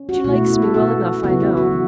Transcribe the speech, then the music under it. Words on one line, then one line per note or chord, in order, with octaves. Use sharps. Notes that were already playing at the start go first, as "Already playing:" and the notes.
She likes me well enough, I know.
Already playing: C#4
F#4
B2 A3 E4 F#4
E4
A4
B2 B3 E4 F#4
C#3 F#3 B3 E4 F#4
E4
F#4
E3